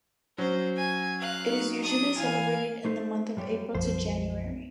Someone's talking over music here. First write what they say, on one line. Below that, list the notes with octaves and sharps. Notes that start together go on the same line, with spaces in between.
It is usually celebrated in the month of April to January.
F#3 C#4 C5
G#5
F5 F#6
D#4
D4 D#6
E3 E4 F5 G#5
A3 D#4 C5
F#2 G3 G4
B1 F#2 F3 C5